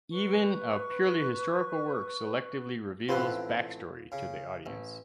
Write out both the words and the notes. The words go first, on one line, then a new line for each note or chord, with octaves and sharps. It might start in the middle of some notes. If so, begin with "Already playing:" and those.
Even a purely historical work selectively reveals backstory to the audience.
B4 C#6
A1 D3 C4 F4 B4 C6
C#3
A1